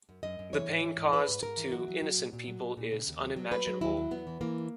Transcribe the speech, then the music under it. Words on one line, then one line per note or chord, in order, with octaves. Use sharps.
The pain caused to innocent people is unimaginable.
F#2
F#2 D#5
F#2
E3 C#5
G#2
E3
G#2
G#2 B4
G#2
G#2 A#4
E3
F#3 F#4
F#3
F#3
A#2
A#2
F#3
A#2
A#2
C#3
D#2
F#3
F#3
F#3 B4
F#3
D#2 E4
F#3
E2 B3
E3
E3 A#3